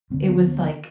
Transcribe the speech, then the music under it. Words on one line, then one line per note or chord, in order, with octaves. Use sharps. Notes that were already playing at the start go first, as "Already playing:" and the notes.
it was, like
D2 D3 C4
B3
B3